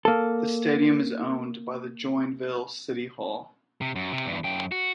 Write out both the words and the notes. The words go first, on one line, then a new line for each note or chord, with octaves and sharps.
The stadium is owned by the Joinville City Hall.
A#3 A4
C3
F#2
C3
E2 G2
F#2 G5
F#4